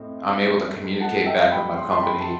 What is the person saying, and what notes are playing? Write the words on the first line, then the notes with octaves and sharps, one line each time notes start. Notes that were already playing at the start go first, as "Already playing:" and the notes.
I'm able to communicate back with my company
Already playing: A2 C4 D#4
F#5 A5
E5 G5
G5 B5
C6
A5 C6
G5 B5
A5